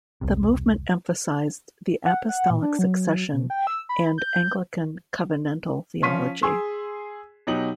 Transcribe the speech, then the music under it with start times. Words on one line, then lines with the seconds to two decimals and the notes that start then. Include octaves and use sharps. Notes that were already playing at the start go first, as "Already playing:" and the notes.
The movement emphasized the Apostolic Succession and Anglican Covenantal Theology.
0.21 E1 C2 C3
2.05 F#5
2.29 F#5
2.50 A#2
2.62 D4
2.79 F#3
3.33 B2
3.50 G5
3.67 E6
3.89 B5
4.18 G6
6.02 F3 C#4 C6 B6 D#7
6.42 G#4 G#5 C6 E6
7.47 B2 F#3 D#4 G4 F#7